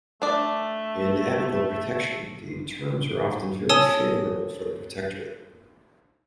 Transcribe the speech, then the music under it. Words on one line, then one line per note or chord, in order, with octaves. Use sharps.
In amical protection, the terms are often very favorable for the protectorate.
A3 D4 D5
C#5 G#5 A5 D#6 E6 G7